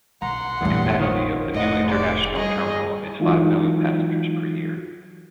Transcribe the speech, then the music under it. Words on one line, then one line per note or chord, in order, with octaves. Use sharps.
The capacity of the new international terminal is five million passengers per year.
B1 F#5 A#5 C6
F1 A#1 E2 G2
D#3 F3 C#5
F1 A2 D#5 F#5
G#3 D5
G2 G#4 D#5
E3 F#3 G#3 D#4 F4 F#4